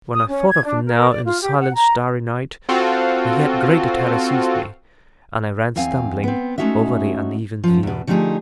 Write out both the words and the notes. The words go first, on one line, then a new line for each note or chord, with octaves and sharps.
When I thought of him now in the silent starry night, a yet greater terror seized me, and I ran stumbling over the uneven field.
D#6
C#4
G#6
D4
A#4
D5
F4
G4
F#5
A#5
C4 F4 F#4 A4
E2 C4 F5 G#5
B3 C4
G#3 A3 C#4 D#4 F#4 E5
F#2 F3
E2 B2
D3 F3 A3 D#4 G4 G#4